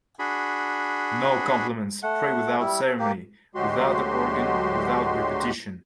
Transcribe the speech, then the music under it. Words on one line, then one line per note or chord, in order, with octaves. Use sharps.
No compliments, pray without ceremony, without the organ, without repetition.
D4 F#4 G#4 B5
A3 F#5
G3 E4
E5
A#3 G4
D2 F#3 G#3 F#4 G4 C6